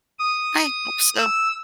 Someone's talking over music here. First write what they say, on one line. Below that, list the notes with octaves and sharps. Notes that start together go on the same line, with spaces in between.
I hope so.
D#6
E6